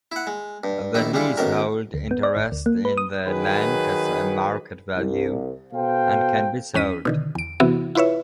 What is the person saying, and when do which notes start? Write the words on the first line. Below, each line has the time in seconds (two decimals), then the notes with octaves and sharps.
The leasehold interest in the land has a market value and can be sold.
0.12 E4 F#5
0.27 G#3
0.64 G2
0.95 A#1 D#3 D#4 E4
1.14 G3 G#3 E4 F4
1.37 B1 F#2 D#3 A#4
1.94 D2
2.11 B3
2.23 D5
2.37 G#1
2.52 D2
2.66 A#3
2.85 B4
2.97 D#6
3.26 D#3 F#3 G#4 B4
4.96 C2
5.73 B2 A4 C5 F5 G5
6.75 E2 C#4 B6 D#7
7.05 B2 D3 D#3
7.35 E2 D7
7.60 C3 E3 B3 E4 F#4
7.95 E4 F4 B4 C#5 E5